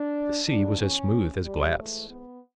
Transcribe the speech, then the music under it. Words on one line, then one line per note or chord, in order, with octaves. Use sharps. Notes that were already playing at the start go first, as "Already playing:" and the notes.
The sea was as smooth as glass.
Already playing: D4
E2 C#3 F#3 D4
C#4
G3
G#2 E3 A3
B3